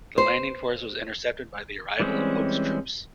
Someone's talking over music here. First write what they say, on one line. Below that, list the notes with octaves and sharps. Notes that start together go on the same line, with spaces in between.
The landing force was intercepted by the arrival of Hoke's troops.
C5
E3 G3 G#3 C4 C#4